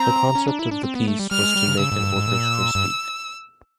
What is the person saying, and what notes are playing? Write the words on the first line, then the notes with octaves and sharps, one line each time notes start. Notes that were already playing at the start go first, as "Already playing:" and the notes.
The concept of the piece was to "make an orchestra speak".
Already playing: C4 A#5
C#4
D4
E4
D4
C4
B3
A3
G3
G3 F6
G#3
G3
C#3
C#3 E6
G#2
G2
G#2
A#2
G2